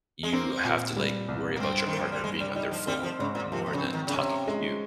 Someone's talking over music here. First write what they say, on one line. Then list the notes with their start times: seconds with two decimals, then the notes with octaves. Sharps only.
you have to, like, worry about your partner being on their phone more than talking to you,
0.23 G#3
0.33 A#3 C4
0.64 A#2
0.96 G3
1.28 C2
1.56 A#3
1.60 G2 C4
1.86 D#3
1.92 A#3
2.00 F3
2.12 G3
2.24 G2 G#3
2.40 G3
2.55 G3 D#4
2.71 F3
2.87 G3 C4
3.03 F3
3.19 G#2 C#3
3.35 A#2
3.51 C3 F3
3.66 C3
3.73 C#3
3.83 C4
3.94 D#3
4.07 C#3
4.15 C3 C#4
4.47 G#3